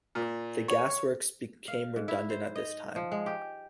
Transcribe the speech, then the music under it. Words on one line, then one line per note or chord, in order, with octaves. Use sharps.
The gas works became redundant at this time.
A#2
C#5
F5
G#2
E4
C5
D#5
F3
G#3
G4